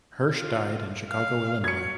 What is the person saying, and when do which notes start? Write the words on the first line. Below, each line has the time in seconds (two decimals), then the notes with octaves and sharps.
Hirsch died in Chicago, Illinois.
0.35 F4
1.10 F5
1.64 F#3 G#6 C#7